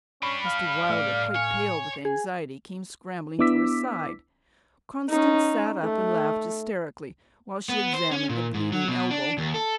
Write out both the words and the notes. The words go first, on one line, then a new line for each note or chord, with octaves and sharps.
Mr. Wilder, quite pale with anxiety, came scrambling to her side. Constance sat up and laughed hysterically, while she examined a bleeding elbow.
G3 C#4 D4 B5
F5
A2 D5
C#5 G#5
G#4 G#5
B3 D4 E4 D6 E6 B6
C#4 D#4
A3
B3
C5
C#4
A#2
G#2
F#3
B2
D4
D#2
A4